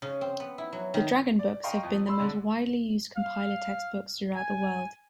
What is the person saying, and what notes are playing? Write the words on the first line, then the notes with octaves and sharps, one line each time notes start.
The dragon books have been the most widely used compiler textbooks throughout the world.
C#3
C4
B3
E4
F#3
D#3
D5
D#5 F5 G5 A#5 C6 C#6
F2
B5 C6 E6
D3 G#3 D4
F5
G#5